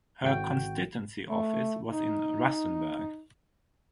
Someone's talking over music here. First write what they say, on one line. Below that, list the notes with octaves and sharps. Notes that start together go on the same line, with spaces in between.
Her constituency office was in Rustenburg.
G#1 F#4 G5
A3
D#4